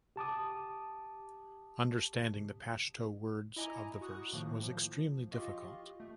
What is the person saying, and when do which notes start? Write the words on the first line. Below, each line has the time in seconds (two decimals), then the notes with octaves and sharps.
Understanding the Pashto words of the verse was extremely difficult.
0.16 G4 A5 D6 D#6
3.56 E4 D#5 G#5 A#5 D6
4.01 F#4 C#6 D#6 F#6
4.33 A2 D#3 F3 A3 A#3
4.63 F3
5.31 F4 G4 D#5 F5 C#6
6.00 A3